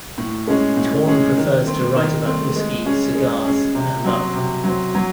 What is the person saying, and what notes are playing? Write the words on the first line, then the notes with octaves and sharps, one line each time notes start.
Torn prefers to write about whisky, cigars and love.
A2
G#3 C#4 G#4
A2
G#3 C#4 G#4
D#3
A3 C4
D#3
A3 C4
G#3
C#4 G#4
G#3
C#4 G#4
C3
F#3 C4
C3
F#3 C4
F#3